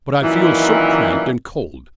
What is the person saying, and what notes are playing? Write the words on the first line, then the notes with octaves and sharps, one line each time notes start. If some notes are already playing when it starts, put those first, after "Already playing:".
"But I feel so cramped and cold."
F#2 A#2 D#3 E3